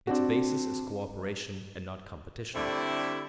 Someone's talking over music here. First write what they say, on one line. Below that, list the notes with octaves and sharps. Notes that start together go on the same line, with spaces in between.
Its basis is co-operation and not competition.
C4 D4 F#4
D3 G3 A3 C4 E4